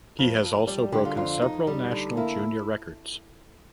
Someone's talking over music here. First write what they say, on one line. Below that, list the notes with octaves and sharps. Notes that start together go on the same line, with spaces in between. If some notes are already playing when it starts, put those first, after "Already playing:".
He has also broken several national junior records.
F2
F2
G3 D5
D3 G4
F4
F2 F4
F2 D#4
G3
D3
A#3 E4